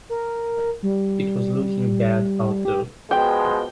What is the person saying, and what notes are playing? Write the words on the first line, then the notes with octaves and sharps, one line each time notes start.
It was looking bad out there.
A#4
G3
G4
B2 F3 G#3 G5